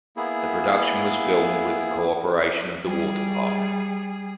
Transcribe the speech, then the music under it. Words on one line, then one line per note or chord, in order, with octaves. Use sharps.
The production was filmed with the cooperation of the War Department.
A#3 B3 E4 G#4
G3 G#4